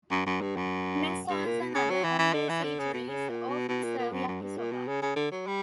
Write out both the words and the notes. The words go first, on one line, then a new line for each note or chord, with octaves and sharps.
Mess halls and other on-base eateries often serve yakisoba.
F#2
F#2
G2
F#2
G2
A#2
B2
C#3
F#3
E3
E3
D3
E3
D3
C#3
B2
C#3
A#2
B2
B2
A#2
A#2
F#2
F#2
G2
A#2
B2
C#3
C#3
D3
F#3
G3